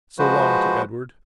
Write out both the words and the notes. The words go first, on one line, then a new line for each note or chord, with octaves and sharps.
"So long," to Edward.
F3 G#3 F#4 B4 C5